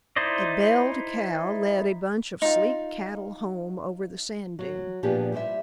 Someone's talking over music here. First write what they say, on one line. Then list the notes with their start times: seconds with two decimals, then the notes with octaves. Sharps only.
A belled cow led a bunch of sleek cattle home over the sand dunes.
0.16 D#4 E4 C5 D5 D#5
2.42 D#4 F4
4.59 F#3
5.03 A#2 F3 B3 D4 G4 G#4
5.32 G3 E4 B4 C5 E5